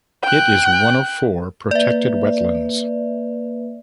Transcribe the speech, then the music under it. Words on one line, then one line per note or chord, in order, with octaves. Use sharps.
It is one of four protected wetlands.
G5 F#6
A#3 B4 D5 E5